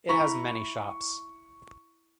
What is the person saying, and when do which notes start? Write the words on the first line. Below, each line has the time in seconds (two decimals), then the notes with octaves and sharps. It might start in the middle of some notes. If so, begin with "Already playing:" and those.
It has many shops.
0.09 E4 A#5 B5 C#6